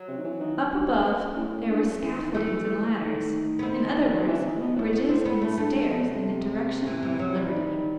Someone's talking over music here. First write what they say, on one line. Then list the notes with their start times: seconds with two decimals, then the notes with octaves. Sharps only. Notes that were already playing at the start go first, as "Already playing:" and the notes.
Up above there were scaffoldings and ladders; in other words, bridges and stairs in the direction of liberty.
Already playing: F#3
0.08 C3
0.18 D#3
0.24 E3
0.40 D#3
0.72 G2
0.88 G2
1.04 F#2
1.37 A2
1.69 G2
1.85 F#2
2.02 E3
2.17 D#3
2.34 E3 A3
2.66 E3
2.99 D#3
3.59 B3
3.63 D#3 C4
4.28 E3
4.39 C3
4.44 D#3
4.55 A2
4.60 B2
4.76 A2
4.93 B3
5.09 C4
5.25 B3
5.42 A3
5.58 G2 A3
5.73 G2
5.90 B2
6.06 C3
6.87 E3
7.03 E3
7.19 F#3
7.36 G3
7.46 E3
7.51 D#3